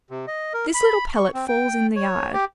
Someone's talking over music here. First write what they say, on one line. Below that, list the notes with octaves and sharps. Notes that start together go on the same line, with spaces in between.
This little pellet falls in the yard.
C3
D#5
A#4
B5
C#6
C4
G5
C#5
G4